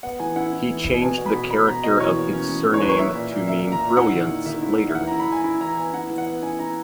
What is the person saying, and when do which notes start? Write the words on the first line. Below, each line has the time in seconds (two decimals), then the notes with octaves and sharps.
He changed the character of his surname to mean "Brilliance" later.
0.03 B3 F#5
0.20 E3 G#5
0.36 E4 F#5
0.53 E4
0.69 E3
0.85 B3
1.01 B2 G#5
1.18 B2
1.26 B5
1.35 B2
1.51 B2 B5
1.67 B2 A#5
1.83 B2 D#5
2.00 E3 C#5
2.16 A#3
2.33 C#4
2.49 E3
2.66 E3
2.74 C#5
2.82 A#3 B4
2.89 C#5
2.98 A#3 E5
3.15 A#2
3.32 A#2
3.48 A#3 E5
3.64 A#2
3.72 A#5
3.81 A#2
3.97 E4 F#5
4.13 D#3
4.30 A#3
4.46 D#3 E5
4.63 E4
4.79 A#3
4.88 E5
4.95 E3 F#5
5.07 E4 A#5
5.20 B5
5.28 E3 G#5
5.44 E4 B5
5.61 E3 A#5
5.77 B3 G#5
5.93 E4 F#5
6.10 E3
6.18 F#5
6.26 B3
6.42 E4 G#5
6.59 E4 A#5